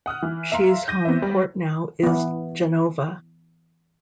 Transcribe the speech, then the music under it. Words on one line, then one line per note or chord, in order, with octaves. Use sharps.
She's home port now is Genova.
F#5 D#6 F6 F#6
E3
E5 F5 A#5 C6
G6 A#6 D#7
B3 C4 E5
G3
E3 B3